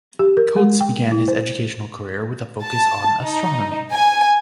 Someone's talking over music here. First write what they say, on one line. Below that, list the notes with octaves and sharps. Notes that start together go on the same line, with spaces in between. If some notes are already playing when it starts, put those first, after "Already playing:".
Cotes began his educational career with a focus on astronomy.
G4
A#4
G#3
G5
E4
C5
A5
D#4
G#5